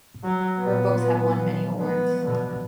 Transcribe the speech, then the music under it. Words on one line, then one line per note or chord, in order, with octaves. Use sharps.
Her books have won many awards.
F#3
A#2 B3
F#3 F4 F#6
E3 F3
G#3 B3 B4
B2 D3 B5